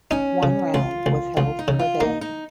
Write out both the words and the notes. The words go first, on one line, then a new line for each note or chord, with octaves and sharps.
One round was held per day.
C#4 D#4
C#3
C#2 F4
C#2
C#2 F4
D#4
C#3
F4
A#3 D#4
D#4